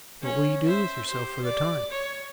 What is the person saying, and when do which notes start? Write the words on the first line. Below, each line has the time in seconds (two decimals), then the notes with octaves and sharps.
"What will you do with yourself for the time?"
0.21 C#4 C#5
0.64 C5 E5
1.07 G4 C5
1.44 D5
1.90 C#5